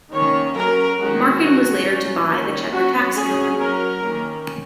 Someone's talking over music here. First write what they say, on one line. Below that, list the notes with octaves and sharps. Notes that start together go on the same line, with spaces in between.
Markin was later to buy the Checker Taxi Company.
D#3 A#3 C#4 C#5
F#3 C#4 A#4
D#3 G#3 C#4 F#4
F#3 C#4
F#3 C#4
D#3 A#3 C#4
F#3 C#4 F#4
F#3 C#4 G#4
F#3 C#4 A#4
D#3 A#3 C#4